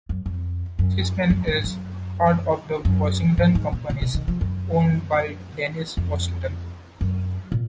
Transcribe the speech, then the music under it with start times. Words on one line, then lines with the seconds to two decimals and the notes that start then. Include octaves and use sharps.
Seaspan is part of the Washington Companies, owned by Dennis Washington.
0.09 F#2
0.26 F2
0.79 F#2
1.30 F#2
1.47 G#2
1.64 F#2
2.85 F#2
3.37 G#2
3.55 G#2
3.72 A#2
3.90 A#2
4.02 B2
4.14 D#3
4.28 F3
4.41 F#2
5.97 F2
7.01 F#2
7.52 A#2